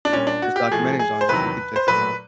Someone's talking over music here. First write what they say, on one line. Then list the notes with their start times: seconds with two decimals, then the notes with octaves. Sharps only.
I there's documentaries on this. You can check them out.
0.05 D4
0.12 A#2 G3 C#4
0.27 D4
0.42 F#4
0.56 G4
0.71 A2 F3 A3 G#4
0.99 G#4
1.21 C5
1.29 E2 C3 D#3 F#3 B4
1.76 C5
1.87 A#2 F#3 A3 B4